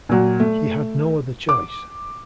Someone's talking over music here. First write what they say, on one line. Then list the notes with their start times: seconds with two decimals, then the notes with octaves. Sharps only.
He had no other choice.
0.09 A#2 F#3
0.40 A3
1.49 D6